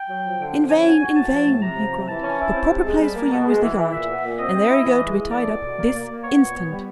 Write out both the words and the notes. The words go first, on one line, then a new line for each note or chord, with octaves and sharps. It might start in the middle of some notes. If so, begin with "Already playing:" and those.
"In vain, in vain," he cried; "the proper place for you is the yard, and there you go to be tied up this instant."
Already playing: G5
F#3
F3
D3
F3
C#4 G#5
F#4
F#4
A2 A5
F3
A2
C3 A#5
F3
C3
E3 A5
C#4
E4
C4
C3
G#3
G3
A#3
B2
G#3
E3
E3
A#2 E5
B3
A#2
C4 D#5
C4
E4
E3
G#3
E3
A3 D5
B2
B2
A#3
A#3
A#3
B3 C#5
A#2
B3
G3